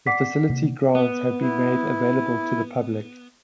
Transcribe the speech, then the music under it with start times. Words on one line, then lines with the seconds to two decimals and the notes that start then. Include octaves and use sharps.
The facility grounds have been made available to the public.
0.07 D5 F#5 D6 B6 C7
0.49 C3 A#3
0.95 B3
1.42 E4